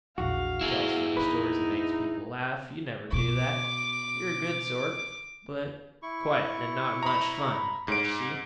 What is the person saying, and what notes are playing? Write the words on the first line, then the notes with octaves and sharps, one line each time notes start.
She tells funny stories and makes people laugh; you never do that--You're a good sort, but quiet and not much fun, don't you see?
A#1 E2 F#4 F5
B3 E4 G#4
A1 D#4 B4
B2 D6
E4 C#6
A#5 B5
G#2 D7